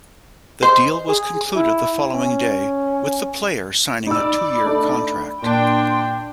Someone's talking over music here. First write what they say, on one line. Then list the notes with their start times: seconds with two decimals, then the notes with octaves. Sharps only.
The deal was concluded the following day, with the player signing a two-year contract.
0.63 C5 D#5
1.08 G#4
1.56 E4
2.14 C#4
4.07 D#4 D5 B5 E6
4.64 A3 D4 D#4
5.42 A#2 D4 G5 C6